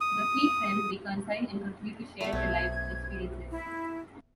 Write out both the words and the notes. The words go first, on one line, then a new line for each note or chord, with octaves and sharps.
The three friends reconcile and continue to share their lives and experiences.
D#6
A3 B3 B5
B1 B3 C4 G#6
E4